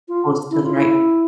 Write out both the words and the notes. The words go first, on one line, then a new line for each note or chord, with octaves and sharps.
close to the right
F4
E4
F4
E4